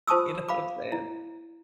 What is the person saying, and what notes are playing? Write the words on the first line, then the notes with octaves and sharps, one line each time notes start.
you know what I'm saying?
F4 C5 A5 C#6 D#6 E6
F5 B5 D6
E4